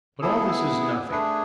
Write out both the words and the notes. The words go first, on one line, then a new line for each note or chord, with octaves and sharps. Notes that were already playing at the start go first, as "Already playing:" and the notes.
But all this is nothing.
B3 E4 G#4 A4
A3 D4 G#4 B4